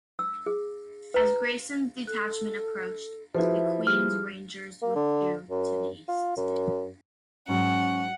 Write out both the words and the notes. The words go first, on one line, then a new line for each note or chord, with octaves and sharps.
As Grayson's detachment approached, the Queen's Rangers withdrew to the east.
E6
G#4
B4 A#5
A4 F#6
F3 E4 F#4 G#4 B4 E5
G3 G4 G#4 F6
A#3
D3
F#2
F4
F#2
G#2 F#3 C#4 F#5 G5